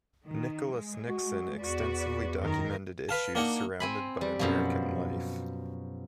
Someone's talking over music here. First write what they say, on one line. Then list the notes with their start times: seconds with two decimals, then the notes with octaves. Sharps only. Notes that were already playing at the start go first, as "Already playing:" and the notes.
Nicholas Nixon extensively documented issues surrounded by American life.
0.25 D#3
0.72 G#3
1.09 F#4
1.59 E2 F#4 B4 D5
2.39 F#2 D#3 A#4
3.09 B4 F5 A5
3.35 A#3 D4 D#4 F#5
3.80 C4 G#5 B5
4.21 G3
4.39 F#2 B2 F3